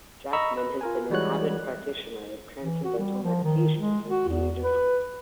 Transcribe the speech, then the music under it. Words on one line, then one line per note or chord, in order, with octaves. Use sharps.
Jackman has been an avid practitioner of Transcendental Meditation since the age of twenty.
D#5 A#5 B5 C#6 E6
B4
F4 A#4 G#5
E3 G3 G#3 F#4 C#5 F#6
E3
F#4
G3
F3
D#3
G#3
F#4
E2
B4